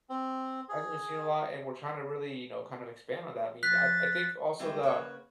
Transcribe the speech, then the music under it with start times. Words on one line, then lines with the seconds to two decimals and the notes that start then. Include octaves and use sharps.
Hasn't been seen a lot, and we're trying to really, you know, kind of expand on that, I mean, I I think also the,
0.10 C4
0.69 G#4
3.63 F3 F#6 A6 B6
4.59 G3 G#3 E4 G4 D#5
4.83 C#3 A#3 B4 C#5 F#5